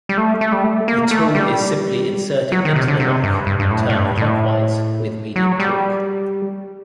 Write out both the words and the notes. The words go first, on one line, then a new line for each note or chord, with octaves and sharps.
The tool is simply inserted into the lock and turned clockwise with medium torque.
G3
A3
A3
G3
A3
A#3
A3
G3
F#3
D#3
C3
D3
C3
G2
G2
G2
A2
A2
G2
A2
F#3
G3